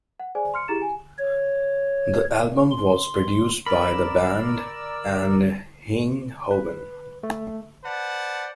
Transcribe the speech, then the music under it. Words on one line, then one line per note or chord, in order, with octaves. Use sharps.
The album was produced by the band and Hein Hoven.
F#5
G#4 C5 D5 G#5
C6 F6 C#7
E4 G4 G#4 A#5 A6 E7
G#5
C#5
C6
A#4 D5 B5 E6
B4
A3
B4 C5 D5 F#5 A5